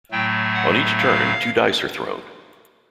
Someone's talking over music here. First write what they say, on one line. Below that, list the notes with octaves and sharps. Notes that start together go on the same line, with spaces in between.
On each turn two dice are thrown.
A2 F#3 A3 G5
F#5
F5